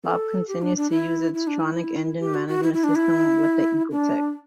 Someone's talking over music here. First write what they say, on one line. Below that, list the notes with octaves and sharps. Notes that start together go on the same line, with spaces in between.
Saab continues to use its Trionic engine management system with the Ecotec.
A4
G4
D4
D4
E4
E4
D4
E4
G4
F#4
F#4
E4
E4
D4
E4
D4